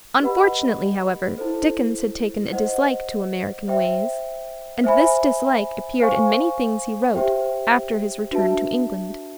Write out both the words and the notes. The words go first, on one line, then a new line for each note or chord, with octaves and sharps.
Unfortunately, however, Dickens had taken a dislike to American ways, and this dislike appeared in many things he wrote after his return to England.
G4 B4 D#5 F#5 B5
E4 A4 C5
C5 D#5 F#5
C5 E5 G5
C5 E5 G#5 B5
C5 F5 G#5 C#6
G4 C5 E5 G5
D4 F#4 B4 E5 A5